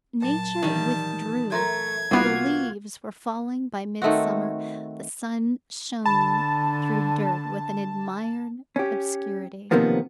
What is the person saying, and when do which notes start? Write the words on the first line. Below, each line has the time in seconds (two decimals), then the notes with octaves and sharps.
Nature withdrew: the leaves were falling by midsummer; the sun shone through dirt with an admired obscurity.
0.23 A#2 F#3 A5
0.63 D#3 E3 G3
1.52 A3 A#4 A#5 C6 G#6
2.11 C2 A#3 B3 F4 F#4
4.02 D#3 A3 C4 F#4
6.06 D3 A5 B5
8.76 C#4 G4
9.71 B1 C3 D#3 F3 A#3 B3